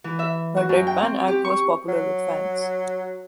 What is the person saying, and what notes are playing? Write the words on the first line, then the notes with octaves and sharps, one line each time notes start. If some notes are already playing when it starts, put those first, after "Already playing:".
Her deadpan act was popular with fans.
E3
E5
F#4
F#2
G5
C4
G4
C#6
F#3